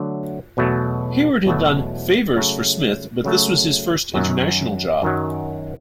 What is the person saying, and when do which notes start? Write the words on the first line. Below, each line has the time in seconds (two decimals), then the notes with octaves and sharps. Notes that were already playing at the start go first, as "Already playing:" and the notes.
Hayward had done "favours" for Smith, but this was his first international job.
Already playing: D3 F#3 A3
0.57 E2 B2 F#3 A3
1.46 E2 B2 F#3 A3
2.35 C#3 F#3 A3
3.24 C#3 F#3 A3
4.14 F#2 D#3 F#3
5.02 F#2 D#3 F#3